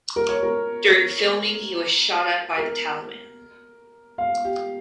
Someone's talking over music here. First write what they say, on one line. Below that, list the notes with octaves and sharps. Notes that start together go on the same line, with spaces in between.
During filming he was shot at by the Taliban.
A#4
C#5
A#4
A#4
F5
G4